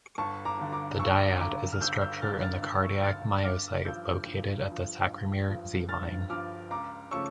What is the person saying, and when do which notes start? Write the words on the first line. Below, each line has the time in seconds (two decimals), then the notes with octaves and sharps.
The diad is a structure in the cardiac myocyte located at the sarcomere Z-line.
0.18 G1 A5 C#6
0.45 A#5 D6
0.59 G2 D3
0.72 A#5 D6
0.99 G1 C#6 E6
1.40 G2 D3 A#5 D6
1.73 F6
1.81 G1 E6 G6
2.01 E6 G6
2.22 G2 D3 F6 A6
2.42 F6 A6
2.63 G1 E6 G6
2.83 C#6 E6
3.03 G2 D3 F6 A6
3.44 G1 D6 F6
3.85 G2 F3 E6 G6
4.26 G1
4.67 G2 F3
5.07 G1
5.48 G2 F3
5.89 G1 F6 A6
6.30 G2 F3 D6 F6
6.70 C#2 A#5 D6
7.11 C#3 F3 A3 C#4 C#6 E6